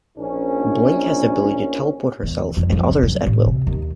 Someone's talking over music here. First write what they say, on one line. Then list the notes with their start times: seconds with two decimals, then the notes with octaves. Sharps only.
Blink has the ability to teleport herself and others at will.
0.18 A#1 C#4 D#4
2.23 E2
2.57 F2
2.72 F3
2.90 F1
3.03 F#2
3.26 A1
3.46 C3
3.67 D#2